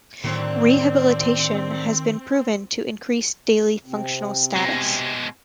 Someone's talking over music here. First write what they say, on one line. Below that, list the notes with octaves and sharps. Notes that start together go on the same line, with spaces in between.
Rehabilitation has been proven to increase daily functional status.
A2 D3 D#3 F#3 C4
C3 C4
B2 G#3